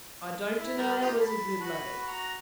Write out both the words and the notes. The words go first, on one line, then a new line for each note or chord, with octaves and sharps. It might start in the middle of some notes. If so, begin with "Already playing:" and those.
I don't deny it was a good lay.
E4
G3 A#4
D#4 F4 G4
A5 B5
F#4 B4
F#4 A#5